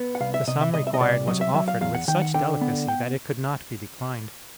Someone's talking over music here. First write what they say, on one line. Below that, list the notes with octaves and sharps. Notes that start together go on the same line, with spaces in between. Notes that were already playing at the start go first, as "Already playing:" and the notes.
The sum required was offered with such delicacy that it could not be declined.
Already playing: B3
F#5
C2 F5
E5
C3 D#5
E5
C2 D#5
E5
D#5
C2 D5
F#3 D#5
E5
F#3 E5
F5
E2 F5
F#5
D#3 G5
F#5
D3 G5
B3
G5